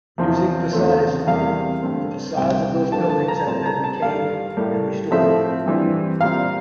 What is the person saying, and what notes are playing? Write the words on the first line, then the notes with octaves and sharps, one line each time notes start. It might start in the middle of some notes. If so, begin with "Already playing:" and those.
Using facadism, the facades of those buildings have been retained and restored.
E2 C3 F3 C4
E2 D3 A3 C4
E2 C3 G3 A#3 F5
G2 D3 A3 C4
C2 C3 G3 C4 G5
G2 D3 F3 A#3 A5
A5
A#5
A2 G3 C4 A5
A#5
A5
G2 D3 G3 F5
A2 G3 A#3
A2 F3 A3 C4 E5
G2 E3 G3 C4
A#2 G3 C4 F5